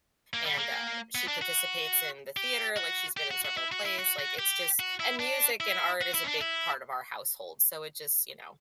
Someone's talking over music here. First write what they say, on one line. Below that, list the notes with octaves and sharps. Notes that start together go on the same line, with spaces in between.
and, uh, she participates in the theater, like she's been in several plays, like it's just and music and art is a big part of our household, so it just, you know,
A#3
G3
A#3
B3
D4
F#4
G4
F#4
G4
F#4
F#4
E4
F#4
E4
F#4
F#4
G4
F#4
E4
D4
E4
F#4
E4
C#4
D4
E4